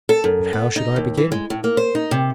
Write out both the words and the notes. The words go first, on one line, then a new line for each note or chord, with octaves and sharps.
But how should I begin?
A4
F#2
B3
D#4
D#2
E3
G#3
A2
A#3
C5
D#4
C3